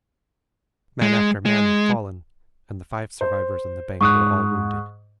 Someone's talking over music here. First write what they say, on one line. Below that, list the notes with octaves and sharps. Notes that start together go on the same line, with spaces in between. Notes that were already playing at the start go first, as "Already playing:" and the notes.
Man after man had fallen, and the five survivors in the bank were all wounded.
G#3
G#3
C5
G#2 C#6 D#6 F#6